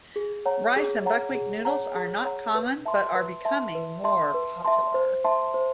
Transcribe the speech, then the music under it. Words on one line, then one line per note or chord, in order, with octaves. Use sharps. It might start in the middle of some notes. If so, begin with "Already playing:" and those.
Rice and buckwheat noodles are not common, but are becoming more popular.
G#4
C#5 F#5 A#5
G#4
C#5 F#5 A#5
G#4
C#5 F#5 A#5
G#4
C#5 F#5 A#5
B4
E5 A5 C6
B4
E5 A5 C6
B4
E5 A5 C6
B4
E5 A5 C6
C5
E5 A5 C6
C5